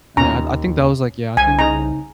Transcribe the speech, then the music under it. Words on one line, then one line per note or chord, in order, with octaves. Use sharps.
And, yeah, I I think that was, like, yeah I think
D#2 A#2 C#4 A#5
C2 G#5
C#3 D#4 A#5